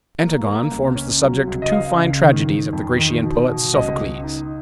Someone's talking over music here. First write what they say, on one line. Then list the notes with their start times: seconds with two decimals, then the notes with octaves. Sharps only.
Antigone forms the subject of two fine tragedies of the Grecian poet Sophocles.
0.20 A#3
0.46 A#3
0.71 C#2
0.95 C#4
1.22 F#3
1.47 C#2
1.62 D#5
1.72 C#2 F5
1.96 C#3
2.22 D#3
2.48 D#3
2.73 F2
2.97 D#3
3.23 B2
3.48 B2
3.73 C#2 D#5
3.99 C#2
4.23 D#4